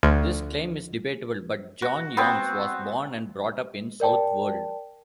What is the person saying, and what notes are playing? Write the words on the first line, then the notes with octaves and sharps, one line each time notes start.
This claim is debatable, but John Youngs was born and brought up in Southwold.
D2
F#4
B3 C4
A#4 D5 G5 A5